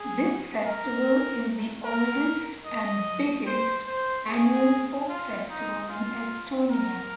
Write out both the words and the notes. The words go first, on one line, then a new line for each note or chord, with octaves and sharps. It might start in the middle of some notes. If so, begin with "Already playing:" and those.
This festival is the oldest and biggest annual folk festival in Estonia.
Already playing: G#4
A#4
A#4
D#5
C5
C5
G#4
F4
D#4
F4
A#4